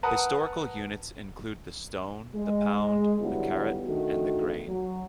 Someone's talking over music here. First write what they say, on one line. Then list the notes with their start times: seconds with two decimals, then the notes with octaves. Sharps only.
Historical units include the stone, the pound, the carat, and the grain.
0.03 A#4 B4 F#5 A5 A#5 D#6
2.35 G#3
3.22 D3 F#3 G3 B3 E4 F4
3.86 D#3 A3 D4 F#4
4.67 F#3